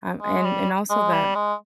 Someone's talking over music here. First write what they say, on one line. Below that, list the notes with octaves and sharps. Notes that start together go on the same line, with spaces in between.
Um, and and also, that
G#3
G3
G#3
G3
G#3